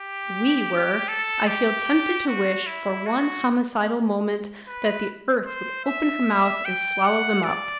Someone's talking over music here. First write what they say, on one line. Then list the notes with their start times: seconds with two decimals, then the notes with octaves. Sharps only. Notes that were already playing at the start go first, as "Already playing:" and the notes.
WE were!' I feel tempted to wish, for one homicidal moment, that the earth would open her mouth and swallow them up.
Already playing: G4
1.08 A4
1.48 G4
2.27 F#4
2.67 E4
3.06 F#4
4.66 B4
5.45 C5
5.86 E5
6.65 G5
7.04 F#5
7.44 D5